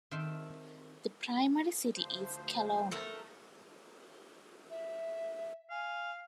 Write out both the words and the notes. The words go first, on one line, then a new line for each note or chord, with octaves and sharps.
The primary city is Kelowna.
D#3 C4 E5 G5 A5 C6
D2 F3 C5
A3 A4 A#4
E5
F5 G#5